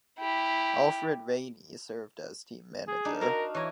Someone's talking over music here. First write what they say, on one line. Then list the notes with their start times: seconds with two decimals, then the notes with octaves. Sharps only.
Alfred Ranney served as team manager.
0.19 E4 G4
2.88 G#4
3.05 D4 D#4
3.21 F#4 A#4 F5 A#5
3.54 E3 C#5 A#5